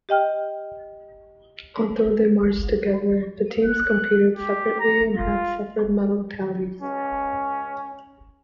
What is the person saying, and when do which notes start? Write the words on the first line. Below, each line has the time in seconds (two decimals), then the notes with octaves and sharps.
Although they marched together, the teams competed separately and had separate medal tallies.
0.09 G4 D#5 G5 F6
3.64 F#6
4.37 G4
4.80 A#5
5.15 F4
6.81 C#2 C#4